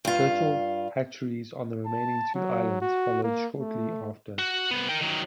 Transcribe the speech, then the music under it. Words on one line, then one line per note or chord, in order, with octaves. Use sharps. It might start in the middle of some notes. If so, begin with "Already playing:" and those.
Turtle hatcheries on the remaining two islands followed shortly after.
G2 F4
A5
F#3
F#4
A#3
A3
F#4
C2 B3
A#4 G5
D#3 F#3